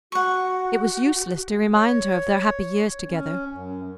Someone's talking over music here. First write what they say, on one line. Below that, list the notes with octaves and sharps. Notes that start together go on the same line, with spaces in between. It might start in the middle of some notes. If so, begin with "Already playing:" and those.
It was useless to remind her of their happy years together.
F#4 F#5 C#6
C#5
C#4
F#2